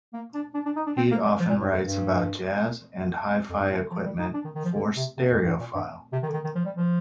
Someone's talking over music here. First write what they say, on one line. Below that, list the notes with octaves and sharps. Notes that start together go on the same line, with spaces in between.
He often writes about jazz and hi-fi equipment for "Stereophile".
A#3
D4
D4
D4
D#4
D4
C4
A#3
G3
F3
A#2
A2
G2
F2
G2
F2
G2
A2
D3
F3
G3
D#4
D4
D#3
D#3
F3
D3
C3
C3
F2
G2
A#2
G2
C3
D#3
D3
D#3
D#3
F3
G3
F3